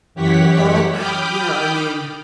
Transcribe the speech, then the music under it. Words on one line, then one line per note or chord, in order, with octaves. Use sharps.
Um, yeah. I mean,
F#2 E3 G4 C#5 F#5 B6
G5 B5 D6 D#6 F6 G6